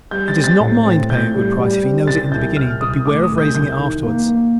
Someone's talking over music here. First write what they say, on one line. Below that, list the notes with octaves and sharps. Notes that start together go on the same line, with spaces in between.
He does not mind paying a good price if he knows it in the beginning, but beware of raising it afterwards.
G3 G6
A6
C4
A6
A2
C4
A2 G6
G3
G3
C4
C2 A6
C2 G6
C2 F6
C2 D#6
A3 D6
D#6
C2
G6
C2 G6
D#3
A#3
A#3